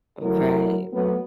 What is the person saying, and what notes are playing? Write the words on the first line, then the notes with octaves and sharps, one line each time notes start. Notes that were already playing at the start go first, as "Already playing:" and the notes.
Oh, right.
F#3 A3 E4 A#4
F#3 A3 B3